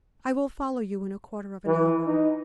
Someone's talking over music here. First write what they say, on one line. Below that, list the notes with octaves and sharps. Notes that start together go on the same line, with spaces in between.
I will follow you in a quarter of an hour.
E3
D#4